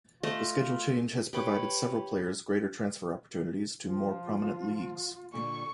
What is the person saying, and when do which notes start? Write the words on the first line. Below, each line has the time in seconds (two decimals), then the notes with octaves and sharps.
The schedule change has provided several players greater transfer opportunities to more prominent leagues.
0.23 A3 F4 D#5
1.33 G4 B4 C#5
3.83 F3 F4
5.33 A#2 D3 G3 C#6